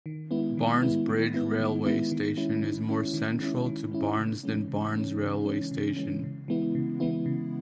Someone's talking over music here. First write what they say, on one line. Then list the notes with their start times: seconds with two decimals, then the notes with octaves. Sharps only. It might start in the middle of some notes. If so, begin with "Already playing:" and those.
Barnes Bridge railway station is more central to Barnes than Barnes railway station.
0.06 D#3
0.31 G#3 B3 E4
0.57 D#3
0.83 G#3 B3 E4
1.09 D#3
1.34 G#3 B3 E4
1.59 D#3
1.86 G#3 B3 E4
2.12 D#3
2.37 G#3 C#4 E4
2.63 D#3
2.89 G#3 C#4 E4
3.14 D#3
3.41 G#3 C#4 E4
3.66 D#3
3.92 G#3 C#4 E4
4.18 C#3
4.43 E3 G#3 C#4
4.68 C#3
4.94 E3 G#3 C#4
5.20 C#3
5.45 E3 G#3 C#4
5.71 C#3
5.97 E3 G#3 C#4
6.24 C#3
6.48 E3 G#3 B3 E4
6.75 C#3
7.00 E3 G#3 B3 E4
7.26 C#3